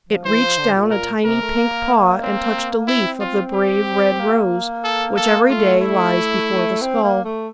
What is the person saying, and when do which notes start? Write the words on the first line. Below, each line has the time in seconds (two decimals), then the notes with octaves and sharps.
It reached down a tiny pink paw and touched a leaf of the brave red rose which every day lies before the skull.
0.09 F3
0.25 E3 C5
0.42 F3
0.58 D3
0.75 A#2
0.91 A#2 A#4
1.24 C3 A#4
1.41 A3
1.56 A#3
2.23 C4
2.87 C4 E4
3.20 F4
3.54 G4
4.19 A#3
4.84 A4
5.17 A4
5.50 A3 F4
5.82 E4
6.81 C4
7.03 A#3
7.25 A3